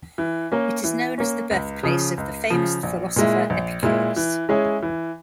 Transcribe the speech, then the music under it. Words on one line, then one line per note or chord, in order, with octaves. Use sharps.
It is known as the birthplace of the famous philosopher Epicurus.
E3
A#3 C#4
E3
A#3 C#4
C#2
C#3 F3
C#2
C#3 F3
A#1
A#2 G#3 E4
A#1
A#2 G#3 E4
E3
G#3 C#4 E4 G#4
E3